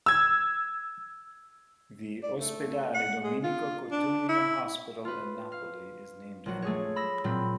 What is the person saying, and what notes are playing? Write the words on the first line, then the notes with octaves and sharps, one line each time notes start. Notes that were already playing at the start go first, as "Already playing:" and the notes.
The "Ospedale Domenico Cotugno", hospital in Napoli is named for him.
E6 G#6
D5
A3
F#5
G#3
F4
D4
E4
F4 B4
F5
A#1 F#3 F#4
A3 G#4 C#5
B5 E6 A#6
A#2 F#3 C4 B5